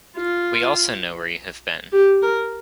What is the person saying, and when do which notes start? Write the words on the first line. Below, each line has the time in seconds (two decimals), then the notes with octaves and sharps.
We also know where you have been.
0.17 F4
1.92 G4
2.22 A#4